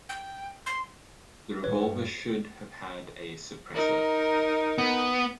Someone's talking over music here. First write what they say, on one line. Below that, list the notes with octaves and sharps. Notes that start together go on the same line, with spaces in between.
The revolver should have had a suppressor.
G5
C6
G2 B4 C#5
D#4 A#4
B3